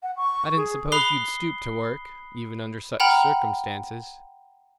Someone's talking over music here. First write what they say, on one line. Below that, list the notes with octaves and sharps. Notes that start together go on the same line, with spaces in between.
I didn't suppose you'd stoop to work, even under such circumstances.
F#5
C#6
G#4
B5 D#6 F#6 C7 G7
F#5 G5 A#5 B5 F6